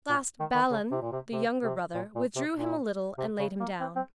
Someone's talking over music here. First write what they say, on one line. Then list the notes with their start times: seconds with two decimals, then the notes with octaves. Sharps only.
At last Balan the younger brother withdrew him a little and laid him down.
0.09 A#2
0.40 D#3
0.55 D#3
0.71 C#3
0.91 C3
1.02 A#2
1.12 C3
1.32 C3
1.63 C3
1.94 A#2
2.15 A#2
2.36 C3
2.56 A#2
3.18 C3
3.39 C#3
3.60 A#3
3.80 C4
3.96 C4